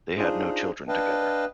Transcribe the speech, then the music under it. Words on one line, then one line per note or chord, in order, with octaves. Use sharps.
They had no children together.
D4 D#4 F4 G#4 C5
D4 B4 D#5 F5 G5 A5